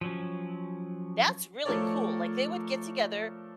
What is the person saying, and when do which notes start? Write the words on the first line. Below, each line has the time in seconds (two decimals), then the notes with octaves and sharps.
"That's really cool," like, they would get together,
0.01 F3 F#3 C#4
1.65 F3 A3 A4 A#4 C#5 D5